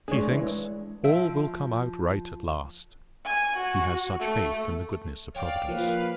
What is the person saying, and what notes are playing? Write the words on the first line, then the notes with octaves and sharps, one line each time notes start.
He thinks "all will come out right at last;" he has such faith in the goodness of Providence.
G#3 D4 G#4 C#5
E3
F3 E5 D7
G#5
F#4
A3
C#5 D5 F5 G5 D6
F3 A#3 B4 F5